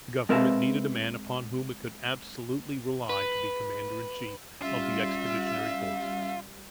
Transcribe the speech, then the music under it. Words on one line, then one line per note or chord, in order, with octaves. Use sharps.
The Government needed a man upon whom it could absolutely rely to be Commander-in-chief of the Expeditionary Forces.
G#3 C4 A#4 B4 E5 F5
B4
G3 C#4 F4 E5